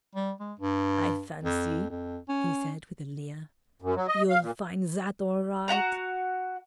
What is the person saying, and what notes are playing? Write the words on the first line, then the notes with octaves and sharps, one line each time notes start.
"I fancy," he said with a leer, "you'll find that all right."
G3
G#3
G2
F2
F2
C#4
F#2
F#3
D#5
F5
A#2
F#4 D#5 F#5 A#5